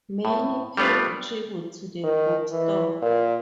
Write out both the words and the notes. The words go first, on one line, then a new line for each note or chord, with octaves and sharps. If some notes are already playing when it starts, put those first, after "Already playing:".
Many paid tribute to the bookstore.
A2
G3 A3 B3 D4 F4
D#3
E3
A#2